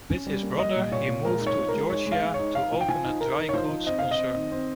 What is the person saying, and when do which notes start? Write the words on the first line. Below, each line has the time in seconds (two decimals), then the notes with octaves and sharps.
With his brother he moved to Georgia to open a dry-goods concern.
0.10 C#4
0.27 G3
0.43 A#3
0.59 G3 D#5
0.75 A#2
0.91 A#2 C#5
1.08 A#2
1.24 G#3 A#4
1.41 D#4
1.47 C#5
1.57 F3
1.69 A#4
1.74 G#3
1.90 D#4 C#5
2.06 G#3
2.12 F5
2.22 G#3
2.34 D#4 C#5
2.55 D#4 F5
2.72 F3
2.81 G5
2.88 F3 G#5
3.04 D#4
3.20 D#4 A#4
3.37 D#4
3.49 C#5
3.53 F3 C5
3.70 D#4
3.86 C4 D#5
3.99 C4 F5
4.11 D#5
4.19 C4
4.35 D#3
4.52 C4